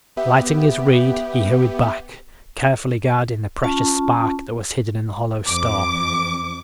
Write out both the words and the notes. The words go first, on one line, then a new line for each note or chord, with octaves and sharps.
Lighting his reed, he hurried back, carefully guarding the precious spark that was hidden in the hollow stalk.
B3 G4 E5
C#4 F4 A5
F2 D6